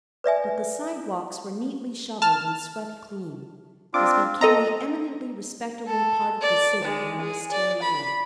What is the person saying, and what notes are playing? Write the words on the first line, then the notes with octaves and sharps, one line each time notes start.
But the sidewalks were neatly shoveled and swept clean, as became the eminently respectable part of the city where Miss Terry lived.
B4 D5 E5 G#5
A5 F6
C4 D4 F4 D6
C4 A4 D#5 A#5
A4
D5
G#3
G#4
D5
B5